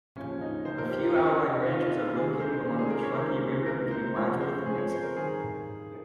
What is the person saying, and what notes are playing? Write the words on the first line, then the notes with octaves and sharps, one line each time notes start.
A few outlying ranches are located along the Truckee River between Wadsworth and Nixon.
D#2 C#3 F3 C#4
D#4
D#2 C#3 F3 C5
A#4
G4
F4
F2 D#3 C#4
D#4
F2 D#3 F4
F4
C#2 C3 D#3 G#4
C5
C#2 C3 D#3 C#4
G#4
A#4
C#5
C#2 C3 D#3 C5
C#2 C3 D#3 A#4
C5
F2 C#3 F3 C#5
C5
F2 C#3 F3 G#4
C#5
C5
A#4
G2 D#3 G#4